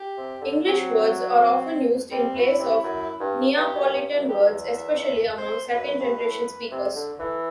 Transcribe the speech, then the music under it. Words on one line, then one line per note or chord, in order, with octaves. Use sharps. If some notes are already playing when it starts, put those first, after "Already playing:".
English words are often used in place of Neapolitan words, especially among second-generation speakers.
Already playing: G4
C3
D3
F#3 C4
B3
C4
G3 C4
E3 F#4
E4
C3
F#2
G2
G2 G4
F#2
G2
F#2
E2 G4
E5
E5
C5
F#2 B4
G2
B2
A2
C3
D3
E3 A4